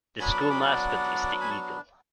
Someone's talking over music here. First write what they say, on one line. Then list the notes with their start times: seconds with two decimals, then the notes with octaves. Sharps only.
The school mascot is the eagle.
0.20 F#3 B3 D4 G#5 B5
0.30 B5 D6
0.40 A5 C#6
0.50 B5 D6
0.60 D5 F#5
1.41 G#5 B5
1.51 A5 C#6